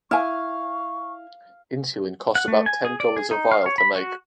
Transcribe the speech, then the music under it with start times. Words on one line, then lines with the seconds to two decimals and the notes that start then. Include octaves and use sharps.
Insulin costs about ten dollars a vial to make.
0.11 E4 F5 G#5 C#6
2.35 F#5
2.48 A3
2.66 G#5
2.85 G#4
3.00 D5
3.17 G#4
3.31 D#4
3.51 F5
3.66 C#5
3.78 B5
3.95 F#4